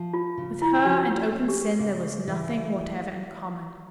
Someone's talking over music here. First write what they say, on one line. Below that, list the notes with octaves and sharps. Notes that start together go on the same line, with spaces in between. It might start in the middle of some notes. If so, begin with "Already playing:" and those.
With her and open sin there was nothing whatever in common.
Already playing: F3
F4
C#3
E4
F3 F#4
C#4
G4
C#3 G#4
E3